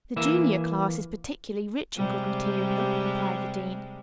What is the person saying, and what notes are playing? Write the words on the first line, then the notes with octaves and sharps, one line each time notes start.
"The junior class is particularly rich in good material," replied the dean.
E3 A#3 E5
C3 G3 G#3